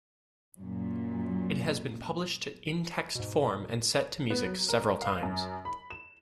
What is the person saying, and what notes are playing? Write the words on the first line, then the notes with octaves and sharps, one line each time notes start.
It has been published in text form and set to music several times.
F#2 A#2
G#2 B2
B3
F#3
A#4
F5
F#2
B5
E7